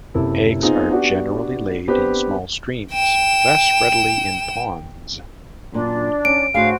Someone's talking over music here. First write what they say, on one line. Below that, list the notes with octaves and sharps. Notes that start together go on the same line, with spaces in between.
Eggs are generally laid in small streams, less readily in ponds.
F#1 C3 E4 A4
B3 C4 D#4 F4 G#4
B3 D4 F#4 G4
B3 C4 D4 G4 B4 C5
G5 E7
F#2 A#2 D4
C#4 D#4 D7
A2 D4 F#4 G#4 C5 F5